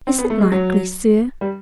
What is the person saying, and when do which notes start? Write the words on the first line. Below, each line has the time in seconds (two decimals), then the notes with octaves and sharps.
Is it likely, sir?
0.07 C4
0.18 B3
0.30 A3
0.41 G#3
0.52 F#3
1.41 G3